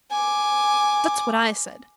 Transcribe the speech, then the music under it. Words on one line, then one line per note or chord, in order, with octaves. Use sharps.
That's what I said.
G#5 D6